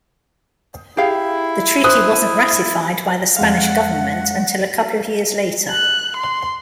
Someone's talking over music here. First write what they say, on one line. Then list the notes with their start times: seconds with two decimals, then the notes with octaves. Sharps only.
The treaty wasn't ratified by the Spanish government until a couple of years later.
0.97 E4 G4 G#4 F5
1.84 C5 D#6 F#6
3.37 F2 G#3 F5 F#5
5.70 F#6
6.16 C6